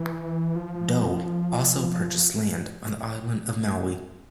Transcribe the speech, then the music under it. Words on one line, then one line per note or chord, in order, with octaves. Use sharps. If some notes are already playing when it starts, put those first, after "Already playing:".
Dole also purchased land on the island of Maui.
Already playing: E3
F3
F3